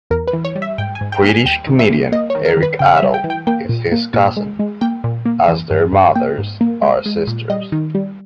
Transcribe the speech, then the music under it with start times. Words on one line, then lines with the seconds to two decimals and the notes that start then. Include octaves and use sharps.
British comedian Eric Idle is his cousin, as their mothers are sisters.
0.10 E2 A#4
0.27 B4
0.33 E3
0.45 C#5
0.56 G3
0.62 E5
0.78 G#2 G5
0.95 G#5
1.01 G#2
1.12 G5
1.23 A#3
1.29 G#5
1.45 D#2 G5
1.67 D#3
1.79 E5
1.90 A#3
2.12 A#3 D#5
2.30 D#3 C#5
2.45 A#4
2.57 D#3
2.63 B4
2.79 C#3 G5
2.97 E5
3.02 G3
3.14 G5
3.24 E3
3.30 G5
3.47 A#3 G5
3.69 A#2
3.92 A#3
4.14 A#2
4.37 G#3
4.59 G#3
4.81 A#3 G5
5.04 A#2
5.25 A#3
5.48 E3
5.71 G2
5.93 G2
6.15 A#3 G5
6.38 G#2
6.61 A#3
6.83 G#3
7.06 G#3
7.27 A#2
7.50 G3 D#5
7.72 D#3
7.95 G3